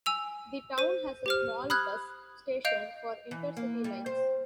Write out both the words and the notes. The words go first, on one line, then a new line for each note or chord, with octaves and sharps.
The town has a small bus station for intercity lines.
G#5 E6 F7
C5 D#7
G4 C5 F6
B5 D#6 F6 F#6 G#6
D#5 F5 G6 D7 F7
E3
A#3
G3
C5